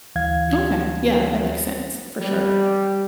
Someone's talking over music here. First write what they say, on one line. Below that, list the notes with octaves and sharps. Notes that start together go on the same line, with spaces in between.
Okay. Yeah, that makes sense, for sure.
D2 E3 F5 G#6
G3